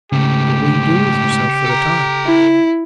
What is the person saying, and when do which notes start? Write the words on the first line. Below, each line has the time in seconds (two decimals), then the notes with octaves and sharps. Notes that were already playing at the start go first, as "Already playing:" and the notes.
"What will you do with yourself for the time?"
0.12 G#2 C#3 A3 G4
1.65 A4 A#5
2.26 E4